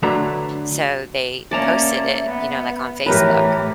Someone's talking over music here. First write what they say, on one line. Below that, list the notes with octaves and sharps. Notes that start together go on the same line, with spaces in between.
so they posted it, you know, like on Facebook,
D3 F#3 A3 D4 B4 A#5
A#3 C#4 D5 E5 A5 A#5
B3
A2 E3 G4 A#4 B4 C#5